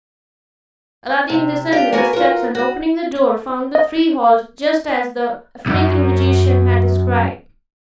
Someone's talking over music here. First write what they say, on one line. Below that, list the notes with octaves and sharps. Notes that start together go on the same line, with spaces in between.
Aladdin descended the steps, and, opening the door, found the three halls just as the African magician had described.
C3
D4 F4 G4
A#3 B3 F#4 A#4 G#5
F4 F#4 A#4
F#4
D#5
B1 F#2